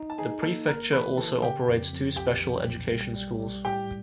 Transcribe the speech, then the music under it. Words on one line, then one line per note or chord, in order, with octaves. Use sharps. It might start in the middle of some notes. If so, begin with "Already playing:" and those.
The prefecture also operates two special education schools.
Already playing: D#4
A5
D#4 G#4 G#5
A#3 A4 A5
G1 A#4 A#5
E3 B4 B5
E3 A4 A5
C#3 G4 G5
F2
F2
B1 G4 G5
F3
B1
G3
G3
G3
A2 G4 G5